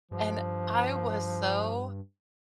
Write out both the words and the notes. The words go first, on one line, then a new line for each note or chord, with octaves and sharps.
and I was so
G2 F3